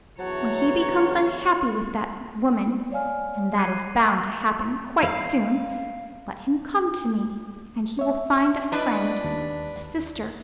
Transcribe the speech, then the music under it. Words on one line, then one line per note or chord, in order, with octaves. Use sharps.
When he becomes unhappy with that woman, and that is bound to happen quite soon, let him come to me and he will find a friend, a sister....
E2 D3 F#3 E4 C#5 F#5 A5 A#5
C#5 D5 F5 G#5 F6
F#6 G#6 C7 C#7 D#7
F5
C#5 E5
D4 E4 B4 D#5
D#2